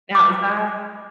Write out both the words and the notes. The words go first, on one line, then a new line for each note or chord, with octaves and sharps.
Now, is that
D6